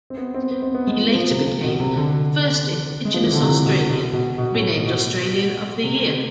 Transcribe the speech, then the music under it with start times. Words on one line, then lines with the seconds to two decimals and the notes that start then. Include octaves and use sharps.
He later became the first Indigenous Australian to be named Australian of the Year.
0.10 C4
0.18 B3
0.34 C4
0.51 B3
0.63 C4
0.75 B3
0.87 G#3
0.99 F3
1.15 F3
1.31 C3
1.47 C3
1.64 B2
1.80 C3
1.96 D3
3.05 G#3
3.14 F3
3.24 E3
3.32 D3
3.41 C3
3.66 B2
3.89 B2
4.13 B2
4.38 B2
4.54 A2
4.86 B2
5.84 C3